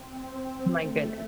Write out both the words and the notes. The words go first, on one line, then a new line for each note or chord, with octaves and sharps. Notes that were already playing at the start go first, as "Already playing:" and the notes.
My goodness.
Already playing: C4
A3